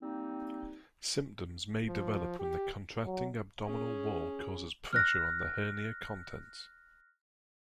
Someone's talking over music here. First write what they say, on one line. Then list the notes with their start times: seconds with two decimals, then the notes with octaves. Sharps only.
Symptoms may develop when the contracting abdominal wall causes pressure on the hernia contents.
0.02 G3 A#3 C4 D#4
1.87 F3
2.39 G4
3.05 F#3
3.65 C#4 G#4
4.93 F6 F#6 A#6